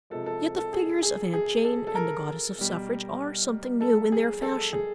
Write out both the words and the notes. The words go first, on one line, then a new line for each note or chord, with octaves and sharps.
Yet the figures of Aunt Jane and the Goddess of Suffrage are something new in their fashion.
C3 F3 G#3 A4
A4
A4
G#4
G#4
G#4
A4
A4
A#4
B2 G3
A4
G#4
A4
G#4